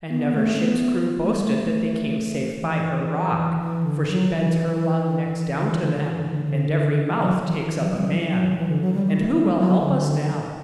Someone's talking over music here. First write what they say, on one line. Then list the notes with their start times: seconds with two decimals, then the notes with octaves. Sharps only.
And never ship's crew boasted that they came safe by her rock; for she bends her long necks down to them, and every mouth takes up a man And who will help us now?
0.10 B3
0.35 A3
0.56 C#4
0.60 B3
1.22 A3
1.35 G3
1.47 A3
2.59 E3
3.59 E3
3.83 D3
4.09 F#3
4.34 E3
5.58 D3
5.71 E3
5.83 D3
5.96 D3
6.08 E3
6.21 E3
6.33 D3
6.45 D3
7.08 E3
7.19 F#3
7.45 E3
7.57 E3
7.70 E3
7.82 F#3
7.94 G3
8.08 F#3
8.18 E3
8.30 F#3
8.57 E3
8.69 D3
8.81 F#3
8.94 G3
9.06 G3
9.19 A3
9.31 B3
9.44 G3
9.57 F#3
9.81 D3